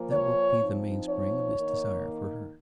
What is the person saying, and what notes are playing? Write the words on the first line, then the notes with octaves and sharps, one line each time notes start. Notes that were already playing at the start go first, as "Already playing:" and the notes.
And that will be the mainspring of his desire for her.
Already playing: A#2 F3 A#3
C#5
F3 C4 D#4
C#5
D#3 A#3 D#4